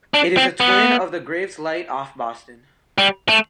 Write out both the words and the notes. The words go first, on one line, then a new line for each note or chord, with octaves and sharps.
It is a twin of the Graves Light off Boston.
D4
C4
B3
G3
A3